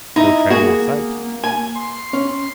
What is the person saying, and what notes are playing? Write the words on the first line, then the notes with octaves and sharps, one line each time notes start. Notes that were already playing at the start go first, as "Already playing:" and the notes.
No tram in sight.
D#4 E4
A#3 F#4 G#4
G#5
C6
C#4